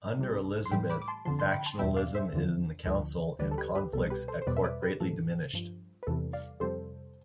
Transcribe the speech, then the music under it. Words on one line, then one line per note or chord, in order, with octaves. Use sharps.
Under Elizabeth, factionalism in the Council and conflicts at court greatly diminished.
C2 C3 G3
C6
A2 E3 G3 G5 B5
B5 D6
D6
A5 C6
F2 D3 F3 A5 C6
A5 C6
G5 B5
A5 C6
E2 B2 G3 E5 G5
D5 F5
C5 E5
E2 D3 F3
D2 D3 F3
D2 D3 G3 B4 D5
A4
G4 B4
G4 B4
C2 B2 G3 A4
G4 B4
A4 C5
C5
E2 B2 G3 B4 D5
E5
B4 D5
G4 B4
A2 F3 A4
G2 F3
B4
E2 C3 E3 G3 A4
D5 F5
F2 C3 G3 A4 C5